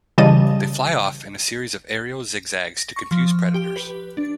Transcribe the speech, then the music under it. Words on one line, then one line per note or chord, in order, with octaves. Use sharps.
They fly off in a series of aerial zig-zags to confuse predators.
C#3 E3 G3 D#5 A5 D#7
A#6
C#6
F3
G4
B4
D4